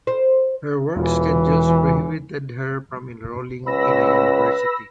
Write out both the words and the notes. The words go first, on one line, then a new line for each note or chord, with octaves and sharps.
Her work schedules prohibited her from enrolling in a university.
C5
E1 E3 F4
C#2 B4 B5 E6 A#6